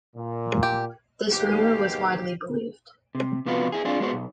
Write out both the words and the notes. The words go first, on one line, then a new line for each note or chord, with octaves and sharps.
This rumor was widely believed.
A#2
G4
D#2 G#2 B2 G4 F5
C3
C3 F3 B3 F4 F#4 B4
E4 G#4
C4 D4 F4 G#4
G#3 B3 F#4 C5
B1